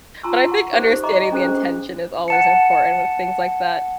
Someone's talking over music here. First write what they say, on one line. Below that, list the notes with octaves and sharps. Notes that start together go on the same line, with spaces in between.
but I think understanding the intention is always important with things like that
F4 A5 A#5 C6 C#6 E6
F#5 C#6
D#4 G4 A4 C5 D5 D6
D#5 E5 A#5 B5 C#6 D6
C#4 D4 F#4 G#4 A4 C5
F#5 A5 C#7